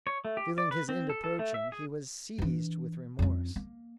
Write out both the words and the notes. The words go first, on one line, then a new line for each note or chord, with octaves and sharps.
Feeling his end approaching, he was seized with remorse.
C#5
A3
G4
D5
B4
C4
A4
A4
A3
E5
G#4
E3 D4
F2 C#4
A#3